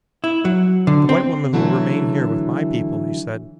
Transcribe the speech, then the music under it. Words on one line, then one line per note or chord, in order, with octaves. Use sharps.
"The white woman will remain here with my people," he said.
E4
F#3
D3
C4
D3 E3 F#3 A3 E4